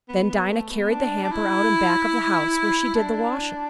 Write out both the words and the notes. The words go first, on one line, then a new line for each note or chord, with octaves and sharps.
Then Dinah carried the hamper out in back of the house where she did the washing.
B3
B3
A3
B3
D4
D4
E4
D4